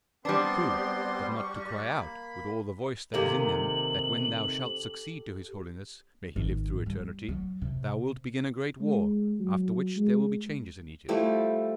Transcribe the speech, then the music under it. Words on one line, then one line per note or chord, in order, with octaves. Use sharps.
"True; but not to cry out, with all the voice that is in them, that when thou shalt succeed to his holiness--may he live through eternity!--thou wilt begin a great war, after which there will be changes in Egypt."
G3 B3 C4 D4 C6
C#6
A#3 B5
C3 D#3 A#3 G4 A4 F#7
G#1
G3
F#3
C3
G#3
F#3
G#3
F3 G3 A3 E4